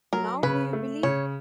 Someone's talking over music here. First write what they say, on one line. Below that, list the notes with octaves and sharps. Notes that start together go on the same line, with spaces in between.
Now do you believe?
F#3 A#4
C#3 B4
A3
C#3 C#5